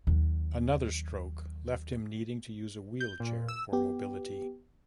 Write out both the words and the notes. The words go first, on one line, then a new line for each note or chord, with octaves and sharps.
Another stroke left him needing to use a wheelchair for mobility.
D#2 F#3
G6
A#2
E6
B3 G4